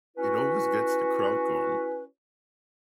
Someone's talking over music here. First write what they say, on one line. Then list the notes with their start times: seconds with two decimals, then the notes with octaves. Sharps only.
It always gets the crowd going.
0.17 C#4 E4 F#4 B4